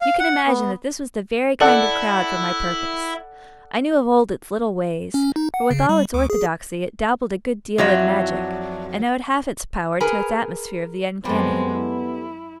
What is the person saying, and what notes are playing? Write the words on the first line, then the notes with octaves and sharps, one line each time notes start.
'You can imagine that this was the very kind of crowd for my purpose. I knew of old its little ways, for with all its orthodoxy it dabbled a good deal in magic, and owed half its power to its atmosphere of the uncanny.
F5
F#5
B3
E4 A4 D5 F#5
C#4
D#4
F#5
C#3
G3
D2
G#4
F2 F#3 D4 E4 F#4
G#4 A#4 B4
F#2 G3 G#3 B3 C4 A4
E4